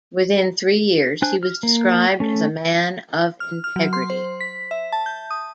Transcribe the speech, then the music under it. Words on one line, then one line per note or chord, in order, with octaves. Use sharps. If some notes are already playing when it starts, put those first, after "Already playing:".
Within three years he was described as a man of integrity.
D4 C5 G#5 F#6
F6
A#3
A3 C#4
F6
F6
F#3
C6
C5
B6
E5
A5
G6
D#6